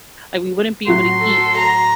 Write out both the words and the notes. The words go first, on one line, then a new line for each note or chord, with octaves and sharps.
and we wouldn't be able to eat
A2 F#3 F#4 C6
A4
A#5